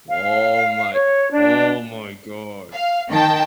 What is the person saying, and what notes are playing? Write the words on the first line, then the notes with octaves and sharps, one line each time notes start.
Oh my oh my god.
F5
C#5
D4
F5
D#3 G5 A5